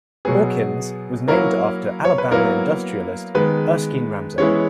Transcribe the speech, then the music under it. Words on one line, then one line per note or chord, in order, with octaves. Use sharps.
Hawkins was named after Alabama industrialist Erskine Ramsay.
B2 F#3 B3 G#4
F#3 A#3 C#4 E4 A#4
C#5
B4
F#3 A#3 B3 E4 A#4
D#3 G#3 B3 B4
E3 G#3 B3 C#4 E4 C#5